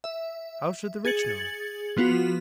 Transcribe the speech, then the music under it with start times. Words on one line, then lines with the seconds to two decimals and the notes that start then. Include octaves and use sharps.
How should the rich know?
0.04 E5
1.05 G#4 G#6 A6 C#7 F#7
1.97 F3 B3 F4 F#4